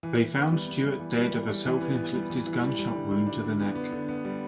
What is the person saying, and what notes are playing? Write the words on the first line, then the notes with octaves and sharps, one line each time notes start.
They found Stewart dead of a self-inflicted gunshot wound to the neck.
E3
E3
B3
G3
B3
G3
E3
G3
E3
G3
E3
B3
B3
G3
E3
E3
G3
G3
D3
G3
D4
D3
B3
B3
D3
B3
G3